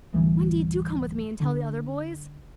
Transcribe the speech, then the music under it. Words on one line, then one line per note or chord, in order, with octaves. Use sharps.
"Wendy, do come with me and tell the other boys."
A1 D2 G2 E3
D3